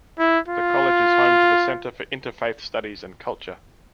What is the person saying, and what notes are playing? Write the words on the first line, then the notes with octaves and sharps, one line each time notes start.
The college is home to the Center for Interfaith Studies and Culture.
E4
F4